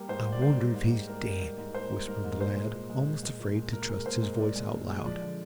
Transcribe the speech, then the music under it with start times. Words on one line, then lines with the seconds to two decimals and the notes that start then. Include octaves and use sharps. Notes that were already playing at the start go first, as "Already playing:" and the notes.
"I wonder if he's dead," whispered the lad, almost afraid to trust his voice out loud.
Already playing: G3 A#3 G5
0.09 G#2 C5
0.25 G#2
0.32 D5
0.42 A#3 C5
0.59 G3
0.75 G#2
0.91 G#2
1.07 A#3 A#4
1.24 G3
1.41 G#2
1.58 G#2
1.74 A#3 C5
1.91 G3
2.07 G#2 A#4
2.24 G#2
2.41 A#2 C5
2.57 G#3
2.74 A#2
2.90 G#3
3.07 A#2
3.23 G#3
3.39 A#2
3.56 G#3
3.73 A#2 A#4
3.89 G#3
4.06 A#2 C5
4.23 G#3
4.39 A#2 D5
4.56 G#3
4.72 A#2
4.88 G#3
5.05 F3 D5
5.22 D3